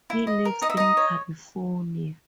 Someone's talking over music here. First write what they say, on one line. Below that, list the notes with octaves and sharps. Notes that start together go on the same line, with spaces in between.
He lives in California.
E4
D#5
A#4
D#4 D#5
E5
D#4 D#5
C#5